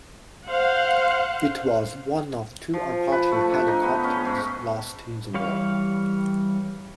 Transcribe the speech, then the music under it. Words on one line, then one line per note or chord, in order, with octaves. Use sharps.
It was one of two Apache helicopters lost in the war.
C5 F5 F#5
F3
B4
A3
D4
D#4
B3
C#4
G#2
E3 G3 C#5 F5 F6